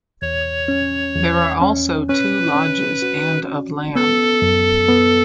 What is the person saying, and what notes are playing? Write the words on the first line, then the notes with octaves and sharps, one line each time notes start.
There are also two lodges, and of land.
E2 C#5
C#4
E2
C#4
C#4 B4
C#4
F#4
C#4
B3 A4
F#2
B3